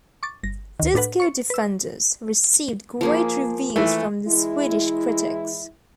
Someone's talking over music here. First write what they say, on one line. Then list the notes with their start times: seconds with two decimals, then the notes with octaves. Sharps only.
"Disco Defenders" received great reviews from the Swedish critics.
0.23 C#6 D6 A6
0.43 G1 A#6
0.80 D2 D#3
0.94 A2 D4 A4 B4 F#5
1.20 C#6 C#7
1.50 B4 E6
3.01 F3 A#3 G#4
3.76 E3 A3 G#5
4.28 E3 G#3 E4